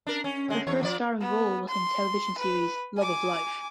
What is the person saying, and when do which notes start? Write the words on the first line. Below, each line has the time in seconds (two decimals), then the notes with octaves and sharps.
Her first starring role was on the television series "Love of Life".
0.07 D4 A#4
0.24 C#4
0.48 D3 G#3
0.67 E2 C#5
0.83 F3 D5
1.21 B3
1.69 C6
2.38 B4
2.97 G#5 D6